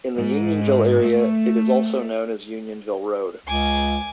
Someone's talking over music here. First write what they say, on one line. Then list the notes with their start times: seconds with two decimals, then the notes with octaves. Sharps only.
In the Unionville area, it is also known as Unionville Road.
0.16 G#2
1.03 A3
3.46 C#2 G#5 D6